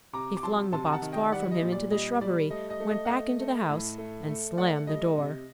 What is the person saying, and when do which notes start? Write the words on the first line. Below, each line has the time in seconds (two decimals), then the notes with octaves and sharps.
He flung the box far from him into the shrubbery, went back into the house, and slammed the door.
0.13 C3 A#5 D6
0.37 D6
0.43 F#3 A5 C6
0.73 C3 A5 C6
0.86 A#5
0.92 F#5 A5
1.02 D#3
1.12 D#5 G5
1.32 G3 D5 F#5
1.51 D#5
1.62 A#2
1.72 D5
1.91 G3 D#5
2.21 G3 D5
2.50 A3 D#5
2.70 D#5
2.80 A3
2.90 D#5
3.05 F#5
3.09 A3 D#5
3.40 A3
3.69 A2
3.98 A3
4.29 A3
4.57 A3 D5 F#5
4.87 G3 D#5
5.18 C3